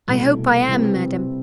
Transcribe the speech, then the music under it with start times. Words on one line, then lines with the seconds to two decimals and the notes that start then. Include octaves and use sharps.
"I hope I am, madam."
0.08 C2 B2 A3 E4 A4
0.68 C3 G3 C4 E4 B4